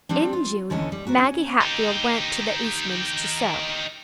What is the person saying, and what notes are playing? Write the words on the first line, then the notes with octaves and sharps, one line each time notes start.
In June Maggie Hatfield went to the Eastmans' to sew.
F3 G3 C4 D4
F4
D#2 D3 E3 C#4 A4 D#5
G3
F#4 A#4 C5
C#4
D#4 G4